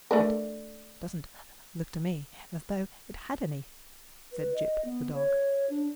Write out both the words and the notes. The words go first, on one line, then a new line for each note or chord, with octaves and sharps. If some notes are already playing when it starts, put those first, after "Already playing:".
"It doesn't look to me as though it had any," said Jip, the dog.
A3 D4 A#4
B4
D#5
B3
C#5
D4